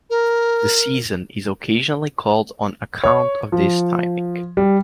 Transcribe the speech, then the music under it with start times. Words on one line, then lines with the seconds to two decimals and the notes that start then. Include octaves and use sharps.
The season is occasionally called on account of this timing.
0.10 A#4
3.04 C#5
3.52 F3
4.57 G3